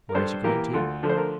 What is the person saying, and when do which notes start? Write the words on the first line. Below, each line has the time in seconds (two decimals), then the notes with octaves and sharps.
Where is he going to?
0.09 A#4
0.15 G2 A4 C5
0.44 E3 A#3 G4 A#4
0.73 D2 F4 A4
1.03 D3 F3 A3
1.09 C5
1.17 A#4